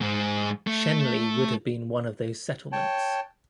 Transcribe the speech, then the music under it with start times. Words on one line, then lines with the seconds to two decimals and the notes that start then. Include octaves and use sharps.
Shenley would have been one of these settlements.
0.01 G#2 G#3
0.67 A3
2.72 C#5 G5 A5